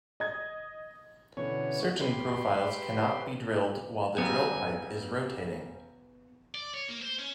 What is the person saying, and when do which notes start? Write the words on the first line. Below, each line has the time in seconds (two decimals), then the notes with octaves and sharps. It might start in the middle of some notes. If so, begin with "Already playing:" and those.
Certain profiles cannot be drilled while the drill pipe is rotating.
0.20 D#5 G#6
1.37 B2 D3 E3 C#4 C#5
2.01 G4 B4 C6
4.18 C#3 F#3 G3 B3 G#5
6.55 D5
6.74 C#5
6.88 A#3
7.02 C5
7.19 C#4